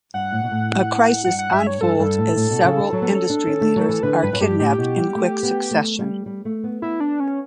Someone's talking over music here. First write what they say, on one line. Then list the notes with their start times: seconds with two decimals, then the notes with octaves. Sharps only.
A crisis unfolds as several industry leaders are kidnapped in quick succession.
0.14 G2 F#5
0.32 A2
0.43 B2
0.51 A2
1.25 G2 F#5
1.39 F#5
1.52 G2 E5
1.67 C#5
1.81 G2 A4
1.99 G2
2.18 A2
2.36 A2
2.51 B2
2.64 C#3
2.79 D3
2.93 F#3
3.02 B3
3.10 C#4
3.30 D4
3.47 C#4
3.61 A3
3.76 F#3
3.89 E3
4.03 D3 B4
4.22 G2 B4
4.33 F#2
4.40 G2 G4
4.59 A2 G4
4.78 B2
4.96 G3
5.15 A3
5.43 B3
5.71 A3
5.99 G3
6.26 G3
6.45 A3
6.64 B3
6.82 B3 E4
7.00 D4
7.20 C#4